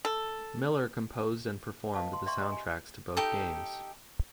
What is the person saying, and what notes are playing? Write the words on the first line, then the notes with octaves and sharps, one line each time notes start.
Miller composed and performed the soundtracks to both games.
A4
B4 D#5 F5 A5 D#6
C6
D5 E5 G5 C6 C#6
G4 D#5 A#5 C6
G#5
D#4 G4 A4